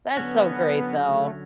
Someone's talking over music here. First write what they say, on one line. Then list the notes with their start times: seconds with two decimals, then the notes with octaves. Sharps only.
that's so great, though.
0.17 D3 F#3 B3 C#4 F#4
1.04 A3